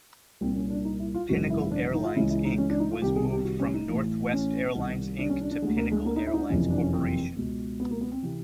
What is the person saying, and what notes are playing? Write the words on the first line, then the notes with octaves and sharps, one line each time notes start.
Pinnacle Airlines, Inc was moved from Northwest Airlines, Inc to Pinnacle Airlines Corporation.
C2 A#2 C4
C#4
D4
D#4
E4
F4
G#1 F#2 C#3 E3 F#4
E4
E4
D4
D#4
F4
C#2 C#3 E3 E4
E4
D#4
C#4
D4
D#4
F4
C2 C3 D#3 G4
G#4
G4
F#4
C#4
D#4
A1 A2 E3
C#4
C2 C3 D#3
D4
C#4
D4
D4
D2 D3 G#3
A#3
G#3
A#3
D#4
E4
D#4
D4
F#1 F2 C3 E3 C#4
D4
C#4
C4
C#2 B2
B3
A#3
B3
C4
C3 E3 C4